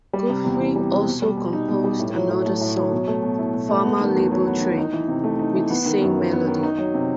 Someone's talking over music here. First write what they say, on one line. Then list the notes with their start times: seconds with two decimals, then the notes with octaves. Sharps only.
Guthrie also composed another song-"Farmer-Labor Train"-with the same melody.
0.13 G3
0.29 C3
0.44 E2
0.60 E3
0.76 G3
0.91 C3
1.06 B2
1.22 G3
1.37 B2
1.53 D#4
1.68 B2
1.84 G3
1.99 A2
2.15 F#3
2.30 A2
2.46 A3
2.61 A2
2.77 F#3
2.92 B2
3.08 A3
3.23 B2
3.39 E4
3.54 B2
3.69 A3
3.85 B3
4.00 D#3
4.15 E2
4.31 F#3
4.47 B3
4.62 D#3
4.77 D#4
4.93 E3
5.08 C3
5.24 A3
5.39 D#4
5.55 E3
5.70 B3
5.86 D#3
6.01 F#2
6.17 F#3
6.32 B3
6.48 D#3
6.63 D#4
6.78 F#3
6.94 C3